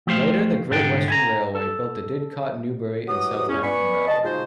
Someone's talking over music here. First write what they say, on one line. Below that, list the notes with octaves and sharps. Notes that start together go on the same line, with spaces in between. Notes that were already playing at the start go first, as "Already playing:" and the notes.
Later, the Great Western Railway built the Didcot, Newbury and Southampton Railway.
F3 A3 G4 C5 F5
C2 G#2 D3 B3 A4 G5
E4 G#5 A#5
A4
F#2 E3 F#4 G4 D#6
E2 C#4
B3 B4 D5 G#5 B5 C#6
D#5 A5
G#3 D#4 F4 F#4 C5